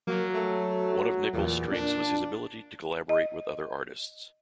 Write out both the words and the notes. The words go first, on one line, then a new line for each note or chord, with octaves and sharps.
One of Nichol's strengths was his ability to collaborate with other artists.
F#3 A#3
A3
E2 A#2
D4
D#5